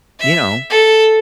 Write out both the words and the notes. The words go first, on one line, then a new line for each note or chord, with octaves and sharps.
you know,
E5
A4